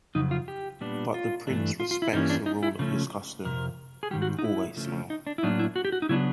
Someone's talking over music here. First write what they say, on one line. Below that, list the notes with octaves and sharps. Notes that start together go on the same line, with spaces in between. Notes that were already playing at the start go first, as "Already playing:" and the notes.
But the prince respects the rule of his custom: always smile.
F2 C#3 F#3 D#4
F4
G4
A#2 G3 B3 D4
F4
G2 E3 A3 D4
F4
F4
E4
G2 E3 G3 A#3 C#4 D#4
D4
D#4
E4
C#3 F3 A3 C#4
F2 C3 A#4
G#4
G#2 D#3 G3 G4
F#4
D#4
E4
C#3 F3 A3 C#4
D#4
D4
E4
A2 F#3 A#3 D4 D#4
E4
F#4
G4
F#4
D#4
C#3 F#3 B3 D4 E4